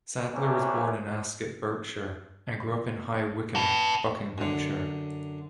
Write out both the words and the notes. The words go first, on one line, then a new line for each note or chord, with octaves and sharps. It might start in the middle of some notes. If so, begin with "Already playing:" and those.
Sadler was born in Ascot, Berkshire, and grew up in High Wycombe, Buckinghamshire.
D2 C3 E3 A3 C#4
B4 A5
F#2 D3